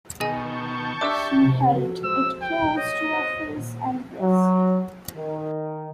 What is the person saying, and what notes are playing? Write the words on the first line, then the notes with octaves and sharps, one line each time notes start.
She held it close to her face and breast.
B2 D#3 G#4 D#5 G#5 A5 C#6 G6
D4 G4 E5 D6 E6
F3 F#4 A4
G#3 C5 E6
G5
C#5 D#5
C5 F#5
A#2 D#3
F#3
D#3